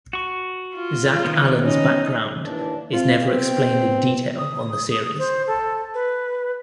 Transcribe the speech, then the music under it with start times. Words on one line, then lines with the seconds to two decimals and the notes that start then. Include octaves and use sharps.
Zack Allan's background is never explained in detail on the series.
0.13 F#4 C#6
0.75 F4
1.25 D#3 B3
1.63 C#4 D#4
2.45 D#2 E3 D4
2.92 C4 F4
3.23 B3 C4
4.38 D#6
5.19 C5
5.47 A4
5.94 B4